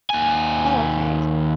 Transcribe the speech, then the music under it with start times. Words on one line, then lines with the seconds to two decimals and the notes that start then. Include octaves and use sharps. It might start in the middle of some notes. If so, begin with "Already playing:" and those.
Oh, okay.
0.10 D#2 G#5